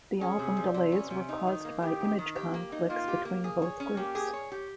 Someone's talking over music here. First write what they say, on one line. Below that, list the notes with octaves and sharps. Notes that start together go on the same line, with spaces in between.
The album delays were caused by image conflicts between both groups.
C#4 G#4
C3
G3
C3
C#4
C3
D#4
D#3
A#3
D#3 G4
D#4
D#3
G4
A#3
D#4
A#3 F4
G4
A#3
G#4
C#5
C#4
A#3 G4
G#4
C#5
G4